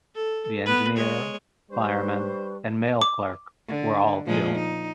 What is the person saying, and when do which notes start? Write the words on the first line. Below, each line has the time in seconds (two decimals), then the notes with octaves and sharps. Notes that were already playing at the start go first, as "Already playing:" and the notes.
The engineer, fireman, and mail clerk were all killed.
0.15 A4
0.66 B3 B4
0.97 G#3 C#5
1.71 G3 D4 B4 C5 C#6
3.01 D6
3.67 D3
4.26 A#2 F3 G#3
4.55 D#4